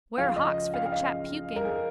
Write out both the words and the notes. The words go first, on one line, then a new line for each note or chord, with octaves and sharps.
Ware hawks for the chap puking.
C#2 C#3 F3 F5
D#5
F5
F5
D#5
A#4
G#4